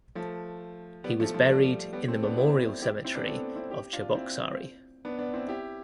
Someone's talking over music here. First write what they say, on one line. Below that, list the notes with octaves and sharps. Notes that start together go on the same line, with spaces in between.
He was buried in the memorial cemetery of Cheboksary.
F3 A3
G3 B3
F3 A3
F3
G3
G3 B3
A3 C4
B3 D4
C4 E4
E4 G4
C4 E4
B3 D4
A3 C4
C4 E4
E4 G4
D4 F4
C4 E4
B3 D4
B3 D4
C4 E4
E4 G4